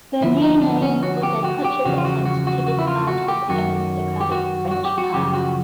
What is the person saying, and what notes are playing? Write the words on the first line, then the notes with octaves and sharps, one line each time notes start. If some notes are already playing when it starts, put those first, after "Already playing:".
The new name was a conscious attempt to discard his aristocratic French past.
D2 D3 F3 E4
D#4
D4
C#4
F#4
G4
F#4
G4
E2 C#3 F3 F#4
F4
F#4
F#4
F#4
F#4
E4
F4
F#4
G4
F#2 D#3 F#4
G4
F#4
F#4
G4
F#4
F#2 C#3 F3 G4
F#4